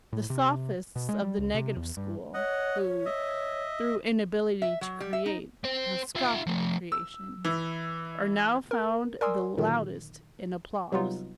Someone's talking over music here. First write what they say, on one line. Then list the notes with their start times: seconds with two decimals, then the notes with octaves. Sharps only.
The sophists of the negative school, who, through inability to create, have scoffed at creation, are now found the loudest in applause.
0.13 A2
0.30 C3
0.96 B2
1.09 G#3
1.22 G3
1.38 C#2
1.54 C3
1.76 E2
1.97 G2
2.34 C#5 D#5 F#5
3.06 D#5 E5
4.62 E5
4.81 F#3
5.00 G3
5.13 E5
5.26 D#4
5.64 C4 C5
6.16 F4 E5
6.47 F3 A3
6.92 E6
7.45 E3
8.71 A#4
9.21 A#4 D5 G#5 C6 D#6 E6
9.58 A#2 D3 D#3 F#3
10.92 C3 F#3 G3 B3 D#4 F4